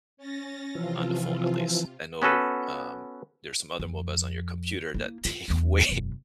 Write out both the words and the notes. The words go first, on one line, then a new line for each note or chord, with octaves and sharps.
on the phone at least, I know, um, there's some other MOBAs on your computer that take way
C#4 A6 A#6
C3 E3 F3 F4
B3 C#4 F#4 A4 B4
F2
A#3 E4
F4
E2 D4
E1 F#2